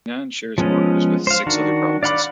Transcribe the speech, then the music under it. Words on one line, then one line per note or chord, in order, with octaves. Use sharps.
Henan shares borders with six other provinces.
F3 G#3 B3 C#4
C5 F5
D#3 D4 F#4
D5 F5 F#5 B5 D6